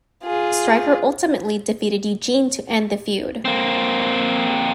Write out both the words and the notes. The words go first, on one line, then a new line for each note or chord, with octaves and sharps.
Striker ultimately defeated Eugene to end the feud.
F4 G#4
A#3 C4